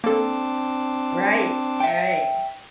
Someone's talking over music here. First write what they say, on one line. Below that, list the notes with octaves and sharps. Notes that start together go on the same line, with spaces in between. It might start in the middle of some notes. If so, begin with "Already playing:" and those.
Right, right.
A#3 C4 D4 A4 A5
E5 G5